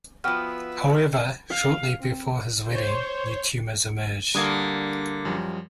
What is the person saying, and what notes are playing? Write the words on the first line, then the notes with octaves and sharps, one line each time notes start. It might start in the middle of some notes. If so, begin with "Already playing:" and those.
However, shortly before his wedding, new tumors emerged.
F3 B3 F#4 B4 E5 G5 F6
F5
C4
C5 C#5
D3 G3 A#3 D#6 G#6
F#2 F3 G3